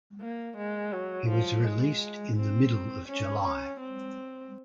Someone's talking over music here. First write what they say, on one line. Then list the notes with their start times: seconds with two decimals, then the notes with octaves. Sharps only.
He was released in the middle of July.
0.21 A#3
0.57 G#3
0.92 F#3
1.29 F3
1.64 G#3
2.36 C4
3.08 C#4
3.44 C#4
3.80 C4